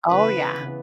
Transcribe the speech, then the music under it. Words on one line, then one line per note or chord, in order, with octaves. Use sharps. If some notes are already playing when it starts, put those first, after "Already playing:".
Oh, yeah.
C#3 E3 B3 B4
C#3 E3 B3